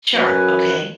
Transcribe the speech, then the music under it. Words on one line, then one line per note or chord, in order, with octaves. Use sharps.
Sure. Okay.
F#2 F#3 B4 G#5